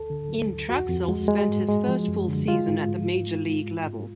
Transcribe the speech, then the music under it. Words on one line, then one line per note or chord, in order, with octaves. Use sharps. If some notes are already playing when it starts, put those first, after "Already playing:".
In Trachsel spent his first full season at the Major League level.
Already playing: D2 A4
D3
F#3
D2
F2 F#4
F2
G#3
G#3
G#2
G#3
F3
F#2
D3
G#3 F4
G#2
G#2
G#2
G#3
G#3
G#2
G#2